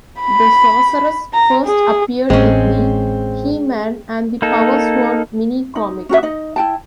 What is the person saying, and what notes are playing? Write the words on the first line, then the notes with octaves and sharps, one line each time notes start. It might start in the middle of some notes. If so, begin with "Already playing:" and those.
The Sorceress first appears in the "He-Man and the Power Sword" mini-comic.
B5
A#5
G#4
A1 G#3 C4 C#4
A#3 D#4 A4
D#4
C#4 F#4 A4 E5
D#4 D#5
E4 G5 A5